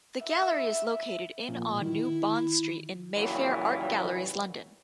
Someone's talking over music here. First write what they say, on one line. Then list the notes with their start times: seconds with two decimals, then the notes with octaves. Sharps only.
The gallery is located in on New Bond Street in Mayfair, art galleries london.
0.24 E5
1.49 A#2 F3
1.81 D#3 E4
3.17 D#2 A#2 C#3 E3 F#3 G3